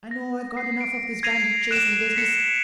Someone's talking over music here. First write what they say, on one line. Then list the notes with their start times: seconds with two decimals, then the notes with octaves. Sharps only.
I know I've got enough of this bandit-chasing business.
0.11 A#6
0.57 C7
0.81 D7
1.23 G#6 A#6 C7 D#7 F7
1.71 F#6 D7 E7
2.16 B6 C#7